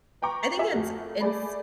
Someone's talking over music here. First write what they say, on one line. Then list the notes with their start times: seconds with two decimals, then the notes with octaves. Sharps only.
I think it's and s
0.22 B4 G5 A#5 C#6 D6
0.57 F4 E5 G#5
0.71 F2 A3 F#4 A#4
1.20 A3 G#4 D5 B5